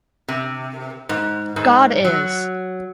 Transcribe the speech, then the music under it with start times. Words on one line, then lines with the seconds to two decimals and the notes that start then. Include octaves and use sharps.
God is.
0.28 C3
1.09 G#2
1.56 G#2
2.05 F#3